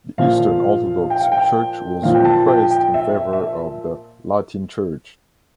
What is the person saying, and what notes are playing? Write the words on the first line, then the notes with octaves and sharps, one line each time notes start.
The Eastern Orthodox Church was repressed in favour of the Latin Church.
A#2 F3 F5
G5
F5
G5
A#2 F3 F5
G5
A5
G5
G5
E5
E5